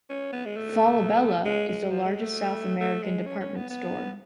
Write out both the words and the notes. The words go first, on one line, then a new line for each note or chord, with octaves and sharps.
Falabella, is the largest South American department store.
C#4
B3
G#3
A3
G#3
G#3
F3
G#3
A3
A3
G#3
C#4
C#4
B3
B3